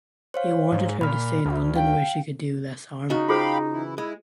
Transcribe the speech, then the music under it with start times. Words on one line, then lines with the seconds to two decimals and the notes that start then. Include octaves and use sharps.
He wanted her to stay in London where she could do less harm.
0.34 C5 C#5 F5
0.72 G#2
1.01 A#2 B5 F6
1.46 D2
1.76 F5 G5
3.10 C#3 D#4 F#4 D#5
3.29 F4 G#4 C5 F5 G5 B5
3.73 E3 E4
3.98 G#3 E4